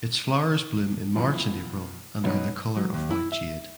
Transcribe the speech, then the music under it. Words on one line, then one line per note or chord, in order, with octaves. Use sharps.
Its flowers bloom in March and April and are the colour of white jade.
F#2 B2 E3 F3
F#2 B2 F#3 C#4 D#4
F#3
D#2
E4
E5